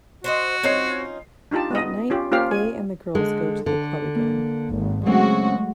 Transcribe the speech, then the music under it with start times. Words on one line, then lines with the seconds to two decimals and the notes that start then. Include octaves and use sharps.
That night they and the girls go to the club again.
0.24 F#4 C5 C#5 D#5
0.63 C4 C#4 D#4 F4 C#5 C7
1.51 D4 D#4 F4 G4 A5
1.71 B3 D#5
2.10 C#4 F4 G4
2.32 A#3 C#4 F4 G4 C5 F5
2.51 G#5
3.15 D3 G#3
3.66 D3
4.16 A#3
4.70 G#1
5.06 C#3 F#3 G#3 A3 C4 C#4 F#4